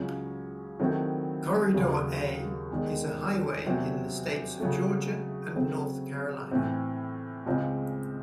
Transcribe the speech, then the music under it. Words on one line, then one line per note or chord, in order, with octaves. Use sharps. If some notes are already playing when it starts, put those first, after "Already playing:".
Corridor A is a highway in the states of Georgia and North Carolina.
Already playing: C#2 C#3 F#3 C#4
D#3 F#3 A3 C4 E4
D#2 C#3 F#3
E2 D#3 G#3
E2 C3 F#3 C4
C#3 F#3 A3
C#3 F#3 A3 C4
A2 E3 C4
C#2 C#3 G#3 C4